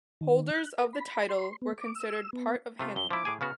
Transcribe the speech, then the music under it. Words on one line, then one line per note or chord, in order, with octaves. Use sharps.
Holders of the title were considered part of Hanlin.
D#3
F#6
A#4
B5
C6
B3
D6
E6
B3
C3 A3 F4
F#2 G7
F3 E4 D6
A2 G#4 G#5
C#3 B3 F#4 F6